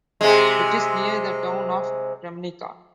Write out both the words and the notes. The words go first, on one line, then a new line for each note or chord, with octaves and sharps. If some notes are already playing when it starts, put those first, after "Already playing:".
It is near the town of Kremnica.
C3 G#3